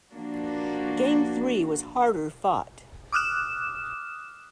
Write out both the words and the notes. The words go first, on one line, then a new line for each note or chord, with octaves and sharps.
Game three was harder-fought.
F3 A#3 D4 F#4
D6 D#6 F6 F#6 E7